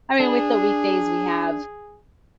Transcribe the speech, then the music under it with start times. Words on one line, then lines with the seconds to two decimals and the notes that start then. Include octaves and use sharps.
I mean, with the weekdays we have
0.20 D4 G#4